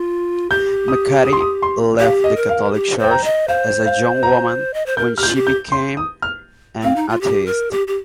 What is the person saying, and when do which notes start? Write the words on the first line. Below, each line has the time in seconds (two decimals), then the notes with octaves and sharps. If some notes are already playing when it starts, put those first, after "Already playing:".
McCarthy left the Catholic Church as a young woman when she became an atheist.
Already playing: F4
0.50 G4 G6
0.88 D#6
1.25 D#6
1.33 C6
1.40 D#6
1.62 C6
2.00 G4 F5
2.24 D#5
2.36 A#4
2.49 F5
2.73 G4
2.98 C5
3.04 G5
3.11 A#5
3.24 D#5
3.48 C5 F5
3.86 F5
4.23 A#5
4.74 D#5
4.86 C5
4.97 A#4 G6
5.17 G4 F6
5.23 G6
5.28 F4
5.35 G4
5.47 G6
5.72 C6
5.97 D#6
6.22 F6
6.83 C4 F5
6.96 D#4
7.09 F4
7.21 G4
7.46 A#4
7.71 G4
7.87 G4